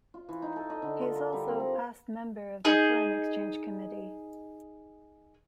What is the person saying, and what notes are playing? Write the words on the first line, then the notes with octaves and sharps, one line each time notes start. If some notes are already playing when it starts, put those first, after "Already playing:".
He is also a past member of the Foreign Exchange Committee.
F4
E3
D#4
A4
D#5
D3
F4
A#4
G3
C4
A#5
D#4 G#4 D#5